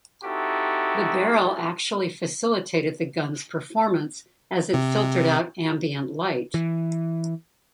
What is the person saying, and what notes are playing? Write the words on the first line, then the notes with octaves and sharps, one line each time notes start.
The barrel actually facilitated the gun's performance as it filtered out ambient light.
C4 D#4 E4 F#4 G4 A4
C3
E3